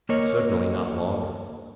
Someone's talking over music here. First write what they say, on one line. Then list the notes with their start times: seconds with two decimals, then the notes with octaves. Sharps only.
"Certainly not longer."
0.09 A#3 A#4 C#5 D#5